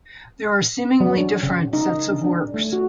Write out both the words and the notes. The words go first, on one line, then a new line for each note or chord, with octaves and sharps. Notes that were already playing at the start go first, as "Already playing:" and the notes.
There are seemingly different sets of works.
F#3
D4
C#3
D#4
D4
D4
A3
F#4